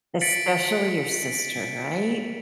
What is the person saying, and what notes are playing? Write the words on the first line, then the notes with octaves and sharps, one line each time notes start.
Especially your sister. Right?
A6 B6 C#7 D7 F#7